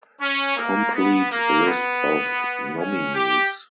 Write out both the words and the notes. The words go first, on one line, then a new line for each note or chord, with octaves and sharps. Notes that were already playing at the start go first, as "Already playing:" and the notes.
Complete list of nominees.
C#4
A#3
B3
A#3
B3
C#4
G4